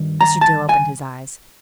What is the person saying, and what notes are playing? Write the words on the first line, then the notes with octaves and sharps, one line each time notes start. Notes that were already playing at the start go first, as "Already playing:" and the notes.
Mr. Dill opened his eyes.
Already playing: G2 D#3
A#5
A5
G#5